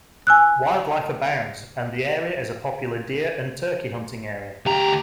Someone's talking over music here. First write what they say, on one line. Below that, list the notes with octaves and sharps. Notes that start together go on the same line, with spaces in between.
Wildlife abounds and the area is a popular deer and turkey hunting area.
G#5 E6 F#6
D2 G4 A#5